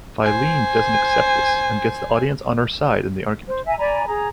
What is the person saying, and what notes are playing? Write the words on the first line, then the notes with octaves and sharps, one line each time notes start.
Phileine doesn't accept this and gets the audience on her side in the argument.
C5 G#5
C5
E5 G#5 A#5
D5 G#5 A#5 B5
G#4 A#5